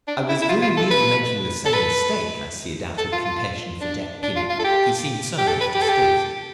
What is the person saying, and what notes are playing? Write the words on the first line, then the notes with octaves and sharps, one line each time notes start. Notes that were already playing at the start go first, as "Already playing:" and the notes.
"I was very nearly making the same mistake," I said, out of compassion for Jack Penny--he seemed so much distressed.
D4
E4
E4
F4
F4
A4
B4
A4
B4
A4
F4
F4
D4
D4
F4
F4
A4
G4
G4
A4
B4
G4
A4
G4